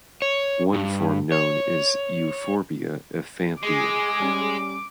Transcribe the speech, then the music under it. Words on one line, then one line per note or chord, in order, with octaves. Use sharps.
One form known is Euphorbia 'Efanthia'.
C#5
G2
C#5
G#3 G#4 D6
G3 C#4